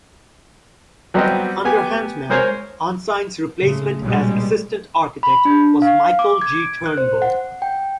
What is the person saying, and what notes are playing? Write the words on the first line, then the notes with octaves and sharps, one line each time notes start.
Under Hantman, Ensign's replacement as Assistant Architect was Michael G. Turnbull.
F#3 G3 B3 C4 G4 D#5
B3 G4 G#5
G#3 A#4 C5 C#5 G#5
A2 C#3 G#3
A#1 B2 G3 G#3 C#4
B5
D4
F5
D6
G#6
D7
F#6
C5
F#5
G5